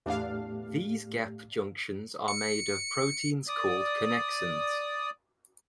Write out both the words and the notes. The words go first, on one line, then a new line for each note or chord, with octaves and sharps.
These gap junctions are made of proteins called connexins.
E2 A2 A3 D4 G4 F5
C#7
D5 D#6